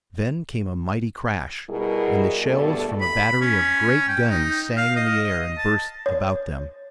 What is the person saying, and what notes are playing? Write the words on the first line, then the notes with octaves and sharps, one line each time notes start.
Then came a mighty crash and the shells from a battery of great guns sang in the air and burst about them.
B2 G3 E4 G#4 A#4
G2 B2 A3 A4
B5
C#4
G5
D#4
F5
D#5
A5
C#5